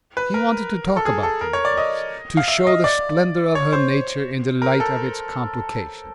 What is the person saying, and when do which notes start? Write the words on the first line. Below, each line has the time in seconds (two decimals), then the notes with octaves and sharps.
He wanted to talk about the business, to show the splendour of her nature in the light of its complications.
0.17 B4
0.34 A#4
0.97 A4
1.05 G#4
1.23 A4
1.41 A#4
1.53 C#5
1.65 D5
1.77 D#5
2.37 F5
2.48 E5
2.67 D#5
2.84 D5
3.55 C#5
3.73 C5
4.62 A#4
4.80 A4